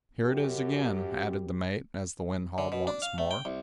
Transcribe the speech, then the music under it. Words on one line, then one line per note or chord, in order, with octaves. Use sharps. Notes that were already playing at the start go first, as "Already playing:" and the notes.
"Here it is again," added the mate, as the wind hauled once more.
F#2 G4
D3
B2
D4
F5
A3
G5
C2